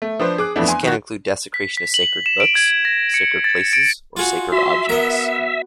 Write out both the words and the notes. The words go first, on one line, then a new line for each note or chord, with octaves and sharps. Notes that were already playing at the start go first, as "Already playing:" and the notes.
This can include desecration of sacred books, sacred places or sacred objects.
A3
F3 D4 B4 C5
G#4 D6 F#6
F2 E3 A3 B3 D4
G#5 C6
D#3 F#4
B6
B6
F#7
E7
D7
G#6
A#6
C#7
A6
D7
F4 F#4 G#4
F#4 E5 C6
B3 A#4 D#5